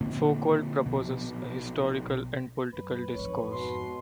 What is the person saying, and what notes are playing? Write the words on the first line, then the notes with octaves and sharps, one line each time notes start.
Foucault proposes a "historical and political discourse".
A#2 D3 A#3 C4
A#1 B2
F#2 B4
F2 G#2 C#5
B2 C6